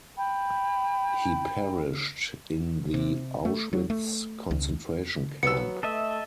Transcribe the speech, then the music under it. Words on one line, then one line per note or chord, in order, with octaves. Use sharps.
He perished in the Auschwitz concentration camp.
G5 B5
C3
A3
F#3
A3
C#2
F#3 B3 E6 C#7
A3 A4 D#5 E5